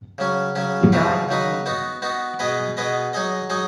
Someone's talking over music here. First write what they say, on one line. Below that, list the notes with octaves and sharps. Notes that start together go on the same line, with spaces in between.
He died in Munich.
C#3 F#3 C#4
C#3 F#3 C#4
C#3 F#3 D#4 B4
C#3 F#3 D#4 B4
B3 D#4 F#4
B3 D#4 F#4
B2 B3 G#4 B4 D#5
B2 B3 G#4 B4 D#5
F#3 D#4 G#4 D#5
F#3 D#4 G#4 D#5